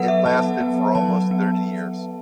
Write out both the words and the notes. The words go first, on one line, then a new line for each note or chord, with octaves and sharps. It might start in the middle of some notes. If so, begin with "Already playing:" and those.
It lasted for almost thirty years.
Already playing: F#3 B3 A4 B4 F#5
E5
F#3 A5
B3
F#3 A5
B3